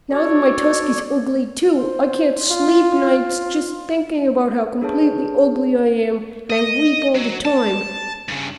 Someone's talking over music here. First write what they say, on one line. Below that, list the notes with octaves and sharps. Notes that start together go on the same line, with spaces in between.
Now that my tusk is ugly too, I can't sleep nights just thinking about how completely ugly I am, and I weep all the time.
D4 F#4 A4 C#5 D5
C5
F4
D4 G#4 A4 B4 C#5 A5
D#5
F#3
A5
G2 C#3